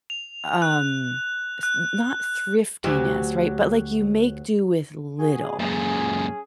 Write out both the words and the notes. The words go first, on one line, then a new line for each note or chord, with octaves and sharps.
Um, th not thriftiness, right? But, like, you make do with little.
F7
F#6
F#6
D2 F#3 G4
F#4 G#4
F#2 A#2 C#4 G#4